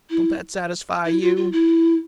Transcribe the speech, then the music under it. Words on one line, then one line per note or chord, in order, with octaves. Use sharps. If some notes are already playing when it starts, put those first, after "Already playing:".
Don't that satisfy you?
E4
E4
F4
F4
E4